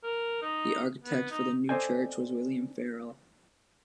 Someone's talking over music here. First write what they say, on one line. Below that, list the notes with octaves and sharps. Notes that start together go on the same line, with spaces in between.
The architect for the new church was William Farrell.
A#4
D#4
B3
D#4
A4 C5 D5 D#5 G5 G#5